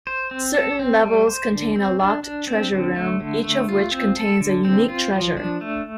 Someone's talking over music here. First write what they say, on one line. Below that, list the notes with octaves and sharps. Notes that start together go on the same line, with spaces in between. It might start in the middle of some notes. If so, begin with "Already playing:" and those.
Certain levels contain a locked treasure room, each of which contains a unique treasure.
C5
C4
A4
C4
G3
C5
D3
C4
D4
D4
C4
D3
A3
D3
A3
F4
C4
A4
D3
C4
F4
F3
D4
A3